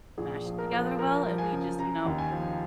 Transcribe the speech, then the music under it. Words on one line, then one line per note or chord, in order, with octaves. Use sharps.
mesh together well, and we just you know,
A#1 G#4
F3
A#4
F3
F3 A#4
F3
G#5
C#3
C#3 A#5
D#2
G#5
F3